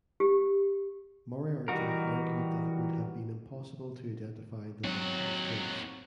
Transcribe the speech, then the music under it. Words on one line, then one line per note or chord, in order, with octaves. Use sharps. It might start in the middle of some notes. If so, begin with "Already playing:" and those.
Moriarty argued that it would have been impossible to identify the lump as drugs.
G4
E3 G3 D#4 F#4 A#4
D#2 F#3 C4 F#4